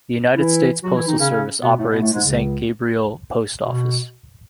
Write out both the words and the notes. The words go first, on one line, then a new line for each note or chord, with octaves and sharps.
The United States Postal Service operates the Saint Gabriel Post Office.
E3 E4
F#3 F#4
E3 E4
D#3 D#4
C#3 C#4
C#3 C#4
B2 B3
A2 A3
B2 B3
A2 A3
G#2 G#3
C#2 C#3
B2